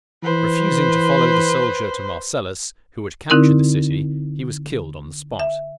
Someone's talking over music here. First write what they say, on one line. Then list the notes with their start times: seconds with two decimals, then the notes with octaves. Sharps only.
Refusing to follow the soldier to Marcellus, who had captured the city, he was killed on the spot.
0.23 E3 B4 C5
3.30 D3 C4 D#4 E4 A#4
5.39 E5